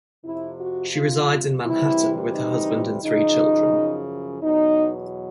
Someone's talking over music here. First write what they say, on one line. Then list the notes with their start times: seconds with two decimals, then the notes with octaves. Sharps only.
She resides in Manhattan with her husband and three children.
0.24 F2 C3 F3 E4
0.59 F#4
0.94 F4
1.64 D2 C3 E3 G3 E4
2.33 D#4
3.02 F#2 C#3 F3 D#4
4.42 E2 B2 F#3 D#4